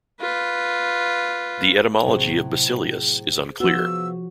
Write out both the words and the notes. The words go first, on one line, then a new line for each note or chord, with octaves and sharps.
The etymology of "basileus" is unclear.
F4 B4
A2 C3 F#3 G#4 C5
F3 B3 F4 F#4 E6